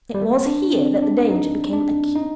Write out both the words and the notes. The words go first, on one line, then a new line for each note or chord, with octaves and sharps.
It was here that the danger became acute.
G3
A3
A#3
C4
D4
C4
D4
D#4
D4
D#4